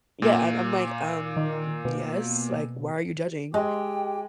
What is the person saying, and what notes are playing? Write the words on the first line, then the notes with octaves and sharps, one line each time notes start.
Yeah, I'm I'm like, um, "Yes, like why are you judging?
A#2 A#3
D#3
B2
G#3 G4 D#5 G5